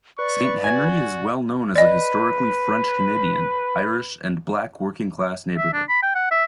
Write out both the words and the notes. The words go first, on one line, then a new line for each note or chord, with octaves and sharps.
Saint-Henri is well known as a historically French-Canadian, Irish and black working class neighbourhood.
B4 D5 C#6
F#4 G#5 G#6
B4 D5 D#5
E5
D4
B5
G5
F#5
E5